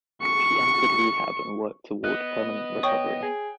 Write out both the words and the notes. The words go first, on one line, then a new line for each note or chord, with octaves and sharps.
She entered rehab and worked toward permanent recovery.
C#6 C#7
B3 D#5 F#6
C#5 G5 C#6 D#6
G#4